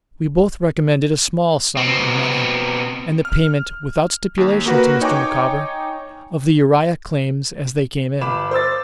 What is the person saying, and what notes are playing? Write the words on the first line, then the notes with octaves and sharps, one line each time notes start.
We both recommended a small sum in money, and the payment, without stipulation to Mr. Micawber, of the Uriah claims as they came in.
B2 C4
F6
D#2
A#3 F#4 B4
D#4 C#5 G5 G#5 C#6 D6
G1 B5 D6 E7
C5 D6 E6 A6